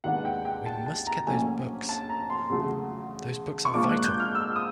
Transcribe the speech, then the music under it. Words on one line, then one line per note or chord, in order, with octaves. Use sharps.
We must get those books; those books are vital.
D#2 D#3 G#3 B3 D4 F#5
G5
G5
A5
A5
A#5
A#1 A2 F#3 A#3 C#4 G#5
A5
A#5
C6
E2 C#3 F#3 A3
C#6
G#2 F3 A#3 D4 D6
F#6
G6
F6
E6
D#6